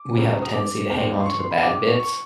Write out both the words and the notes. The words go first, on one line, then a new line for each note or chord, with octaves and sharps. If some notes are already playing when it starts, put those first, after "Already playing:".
we have a tendency to hang on to the bad bits.
Already playing: D6
C#2 C#3 F#3
D#6
D6
D#2 D#3 G#3 C4 D#4
C6
C#6
C6
B5
C3 D#3 G#3 D6
D6
C#6
C#6